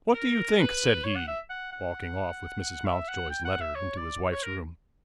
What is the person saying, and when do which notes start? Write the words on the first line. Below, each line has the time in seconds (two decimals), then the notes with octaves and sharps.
"What do you think?" said he, walking off with Mrs. Mountjoy's letter into his wife's room.
0.14 A#4
0.60 B4
1.04 C#5
1.16 F#5
1.27 E5
1.50 F#5
1.72 F#5
2.86 E5
3.08 F#5
3.30 G5
3.45 F#5
3.61 E5
3.75 C#5
3.97 D5
4.32 C#5
4.43 A#4